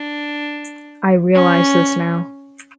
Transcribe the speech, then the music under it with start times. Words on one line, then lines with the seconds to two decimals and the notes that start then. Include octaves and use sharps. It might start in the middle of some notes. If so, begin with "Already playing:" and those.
I realize this now.
Already playing: D4
1.35 C#4